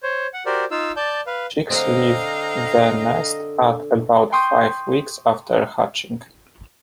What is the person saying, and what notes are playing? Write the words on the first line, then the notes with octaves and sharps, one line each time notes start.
Chicks leave the nest at about five weeks after hatching.
C5 C#5
F#5
F#4 G4 A#4 C5 D5
D#4 F4 F5 E6
D5 A5 G6
B4 F5
D3 C4 D#5 F5 G5 A#5
G5 C6 C#6 D#6 G6